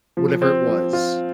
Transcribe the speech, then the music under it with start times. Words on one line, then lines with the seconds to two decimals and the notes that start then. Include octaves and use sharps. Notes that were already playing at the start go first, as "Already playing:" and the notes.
whatever it was
0.17 F3
0.42 C4
0.67 F3
0.93 F4